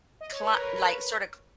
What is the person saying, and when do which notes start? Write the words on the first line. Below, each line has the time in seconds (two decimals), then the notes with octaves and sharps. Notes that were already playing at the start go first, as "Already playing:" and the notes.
cla like, sorta
0.21 D#5
0.32 C#5
0.42 B4
0.54 A#4
0.85 B4